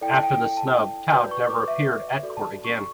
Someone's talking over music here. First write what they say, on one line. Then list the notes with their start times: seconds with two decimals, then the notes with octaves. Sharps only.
After this snub, Taube never appeared at court again.
0.01 E4 A4 D5 G5
0.13 A5
0.23 G5
0.57 A5
1.13 F#4 B4 D5 G6
1.31 C#6
1.49 D6
1.68 E5
2.23 F#4 A4 D5
2.37 A5
2.65 C#6